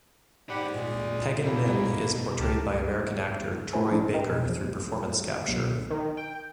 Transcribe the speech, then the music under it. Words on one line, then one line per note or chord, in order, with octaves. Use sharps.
Pagan Min is portrayed by American actor Troy Baker through performance capture.
G#2 F#4 G4 D5 F#5 B5
A#2 G#3
F3 A#3 C4 E4
B2
C#2 G4 A#4 A5 F6
A3 E4 A#4 C5 G#5
F3 C#4 D4 E4
A#4 B4 D#5 G5
B2 G#4 G#5 A#5 G#6
E2 F3
B1
D#3
G5